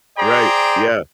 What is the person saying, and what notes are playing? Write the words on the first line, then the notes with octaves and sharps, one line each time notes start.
Right, yeah.
G#4 C5 D5 G5 A#5